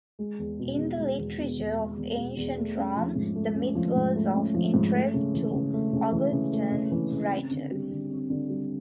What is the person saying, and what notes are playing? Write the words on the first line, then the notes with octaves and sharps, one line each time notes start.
In the literature of ancient Rome, the myth was of interest to Augustan writers.
G#3
E2
B2
E2
G#3
E2
B2
E2
G#3
E2
B2
E2
A3
C#4
F3
G#2
A3
C#4
F3
G#2
A3
C#4
F3
G#2
A3
C#3
E3
C#3
A3
C#3
E3
C#3
A3
C#3
E3
C#3
C4
D3
G3
D3
C4
D3
G3